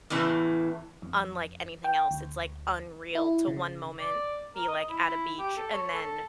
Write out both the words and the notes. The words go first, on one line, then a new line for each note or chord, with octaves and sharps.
unlike anything else, it's, like, unreal to one moment be, like, at a beach and then
E2 A2 C#3 E3
F2
G5
D2
E4
C#3
D5
A#4
D#5
E4
G4
A4
C#5
A4